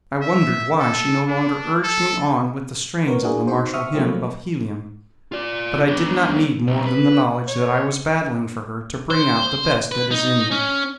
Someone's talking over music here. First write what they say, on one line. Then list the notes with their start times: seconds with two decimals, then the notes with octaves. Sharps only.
I wondered why she no longer urged me on with the strains of the martial hymn of Helium; but I did not need more than the knowledge that I was battling for her to bring out the best that is in me.
0.22 E5
0.80 A4
1.28 D4
1.84 A4
3.06 B3 A#4 C#5
3.22 A#3 D4 E4 F#4 G#4 A#4
3.47 D#4 F#4 C5
3.74 E5 C#6 D#6 F6
3.95 C3 F3 F#3 A3 A#3 C4
5.32 F4 D5
5.88 B3 D4
6.67 B1
6.87 B4
7.48 C#5
9.10 C5
9.92 B4
10.11 D#4
10.51 C#4